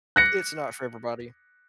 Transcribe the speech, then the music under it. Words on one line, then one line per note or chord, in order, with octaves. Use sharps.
it's not for everybody.
F#6 A#6 C#7